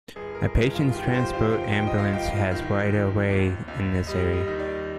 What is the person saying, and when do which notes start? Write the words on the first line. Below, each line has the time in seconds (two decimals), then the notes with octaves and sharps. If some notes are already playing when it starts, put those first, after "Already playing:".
A patient transport ambulance has right of way in this area.
0.16 G1 G#4
0.35 A#4
0.55 G1 G#4
0.74 F4
0.90 F4
0.94 D#3 G4
1.14 C5
1.33 F2 F5
1.52 G5
1.72 G1 G5
1.87 D#5
1.98 F5
2.12 G1 G5
2.25 F5
2.51 D#3
2.90 F2
3.29 D#2
3.68 D#2
4.07 G3 D#5
4.33 D#5
4.47 D#3
4.59 D5